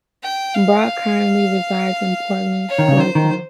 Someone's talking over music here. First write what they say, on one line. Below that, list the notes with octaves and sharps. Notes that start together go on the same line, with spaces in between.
Brock currently resides in Portland, Oregon.
G5
F5
C#5
D#3
C#3
D#3 C5
D#3